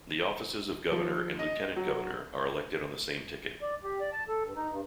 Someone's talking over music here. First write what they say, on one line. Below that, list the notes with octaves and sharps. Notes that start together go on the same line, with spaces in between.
The offices of governor and lieutenant governor are elected on the same ticket.
F3
D#5
F#3
D5
G4
D5
A5
A4
G2
D#4
G2